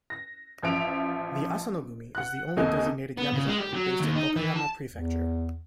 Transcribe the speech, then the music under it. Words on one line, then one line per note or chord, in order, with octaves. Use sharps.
The Asano-gumi is the only designated yakuza group based in Okayama Prefecture.
A#6
A1 F3 E5 D7 F7
F#5 F#6
D#2 C3 A3 A#3 D#5 G#5
B3
C#3
G#3
G4
F#3
D#2
D#4
E3
A5
E2